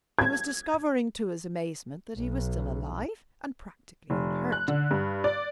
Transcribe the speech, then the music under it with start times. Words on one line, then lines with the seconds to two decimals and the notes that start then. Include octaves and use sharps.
He was discovering, to his amazement, that he was still alive and practically unhurt.
0.19 G#6
2.16 B1
4.10 F1
4.52 F#6
4.68 D3
4.91 G2
5.24 D5